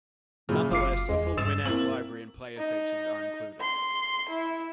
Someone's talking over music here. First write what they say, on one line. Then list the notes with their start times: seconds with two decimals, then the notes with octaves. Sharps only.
Nonetheless, a full Winamp Library and player features are included.
0.49 F#2 A#2 C#3
0.71 F#1 F4 D6 C7
1.09 E2 G#3
1.37 G2 E6 A6 E7
1.65 A#3 C4 E4 F#7
2.57 D#4
3.61 C6
4.29 E4